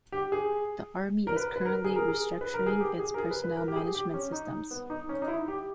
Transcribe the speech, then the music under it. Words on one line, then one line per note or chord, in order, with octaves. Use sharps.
The Army is currently restructuring its personnel management systems.
G4
G#4
A#4
B4
B4
A#4
G#4
A#4
G#4
B4
A#4
G#4
G4
G#4
A#4
G#4
B4
B4
A#4
G4
G#4
G4
C#4
D#4
B3
D#4
C#4
D#4
E4
G4